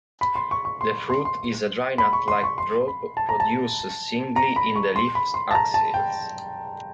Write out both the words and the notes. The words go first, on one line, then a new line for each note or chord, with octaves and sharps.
The fruit is a dry, nut-like drupe, produced singly in the leaf axils.
B5
C6
C#6
C#6
C6
C6
C6
B5
C#6
C6
C#6
C6
B5
A5
A#5
A5
A#5
B5
C#6
C6
B5
C6
A5
A#5
A5
G5